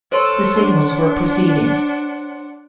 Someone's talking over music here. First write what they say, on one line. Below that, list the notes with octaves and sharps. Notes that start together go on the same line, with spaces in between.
The signals were proceeding.
A4 C5 C#5 C6
D4 F#5